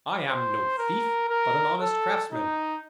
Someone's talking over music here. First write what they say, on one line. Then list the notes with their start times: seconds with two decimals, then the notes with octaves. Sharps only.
I am no thief, but an honest craftsman.
0.28 C5
0.78 A#4
1.29 A#4
1.80 A4
2.32 D#4